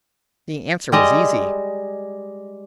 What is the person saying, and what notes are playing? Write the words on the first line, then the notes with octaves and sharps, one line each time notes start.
The answer was easy.
G3 G#3 D#5